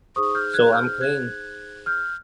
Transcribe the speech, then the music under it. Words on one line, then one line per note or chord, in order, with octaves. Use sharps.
So I'm clean.
D#4 G#4 C5 C#6 D#6
F6 G6
F#6 G#6
F#6
F6 G6
F#6 G#6
F6 G6